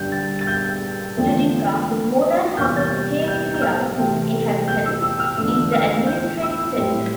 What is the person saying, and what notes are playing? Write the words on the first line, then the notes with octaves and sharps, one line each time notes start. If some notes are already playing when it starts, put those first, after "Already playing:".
Dudinka, with more than half of Taymyria's inhabitants, is the administrative center.
Already playing: G2 D3 G3 G6
A6
A6
G6
E2 D3 F3 A3 C4
E2 C3 G3 A#3 G6
A6
G6
G6
G6
F6
C3 E3 A3 C4
G6
E6
E6
F6
E2 D3 F3 A3 E6
F6
G6
E6
A2 G3 C4